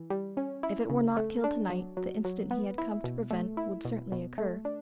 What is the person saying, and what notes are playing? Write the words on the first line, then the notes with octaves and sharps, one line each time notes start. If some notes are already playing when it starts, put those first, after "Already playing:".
If it were not killed tonight, the incident he had come to prevent would certainly occur.
Already playing: E3
G3
C#4
E4
C#3
A3
D4
F#3
F#3
F#3
B3
E4
B2
A3
E4
B2
B2
A3
D4